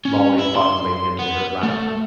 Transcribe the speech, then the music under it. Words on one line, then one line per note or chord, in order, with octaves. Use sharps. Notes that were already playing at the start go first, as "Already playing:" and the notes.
Molly fondling him in her lap.
C#4
E4
C6
B3
A3